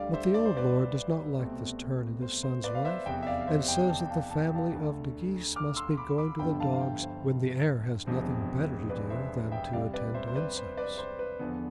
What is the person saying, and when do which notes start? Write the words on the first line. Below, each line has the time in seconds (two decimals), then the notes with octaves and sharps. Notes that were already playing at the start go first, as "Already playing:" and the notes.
But the old lord does not like this turn in his son's life, and says that the family of De Geese must be going to the dogs when the heir has nothing better to do than to attend to insects.
Already playing: D2 D3 G3 D5 F5
0.14 C5 E5
0.34 D5
0.45 C5
0.57 B4 D5
1.38 C2 B2 A3 C4
2.22 C5
2.43 C5
2.64 B4 D5
2.75 F5
2.85 C5 E5
3.06 F1 E2 C3 E5 G5
3.22 E5
3.27 D5 F5
3.41 F5
3.47 C5 E5
3.68 E5 G5
3.89 A5
3.99 G5
4.09 F5 A5
4.31 A5
4.43 G5
4.55 F5 A5
4.72 D2 D3 A3
5.56 D6 F6
5.76 C6 E6
5.97 B5 D6
6.18 B5 D6
6.39 G1 G2 D3 F3 B3 G5 B5
6.60 F5 A5
6.75 F5
6.81 E5 G5
7.02 C5
8.06 E1 E2 C3 F3 C4
8.90 B4 D5
9.10 C5 E5
9.52 E5 G5
9.73 C2 C3 G3 D5 F5
9.93 B4 D5
10.14 C5 E5
10.27 C5
10.36 B4 D5
10.56 C5
10.77 B4 D5
10.98 C5
11.19 B4
11.39 E2 D3 F3 B3